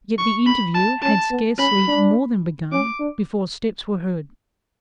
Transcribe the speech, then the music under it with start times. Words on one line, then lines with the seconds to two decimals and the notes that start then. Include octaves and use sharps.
Yet the interview had scarcely more than begun before steps were heard.
0.18 C#6
0.46 B5
0.75 A5
1.02 C#4 A5
1.30 B3
1.58 C#4 B5
1.88 D4
2.72 C#4 D6
3.00 D4